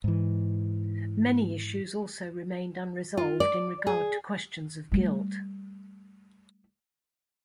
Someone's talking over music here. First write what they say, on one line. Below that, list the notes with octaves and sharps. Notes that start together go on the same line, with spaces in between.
Many issues also remained unresolved in regard to questions of guilt.
G#2 E3
F4
D5
G#4
G3 A3